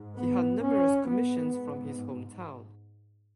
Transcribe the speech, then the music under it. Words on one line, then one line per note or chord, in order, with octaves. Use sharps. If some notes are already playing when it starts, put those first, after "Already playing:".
He had numerous commissions from his hometown.
Already playing: G#2
B3
C#4
G#2 B3